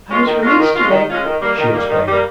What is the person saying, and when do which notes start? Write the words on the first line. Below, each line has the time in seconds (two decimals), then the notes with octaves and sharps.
"I was released to-day," she explained.
0.09 G#3 C#4 F4
0.26 D#3
0.42 G#3 C#4 F4
0.59 D#3
0.75 G#3 C#4 F4
0.91 D#3
1.08 G#3 C#4 F4
1.25 D#3
1.41 G3 A#3
1.58 D#3
1.73 G3 A#3
1.90 D#3
2.07 G3 A#3